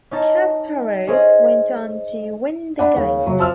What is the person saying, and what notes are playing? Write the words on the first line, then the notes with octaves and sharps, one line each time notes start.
Kasparov went on to win the game.
C#4 D#4 A5
C#4 G#4 C5 D#5
D4 F#5 B5
D#2 C#3
C#3 F#3 F#4
F3 A5 E6 F6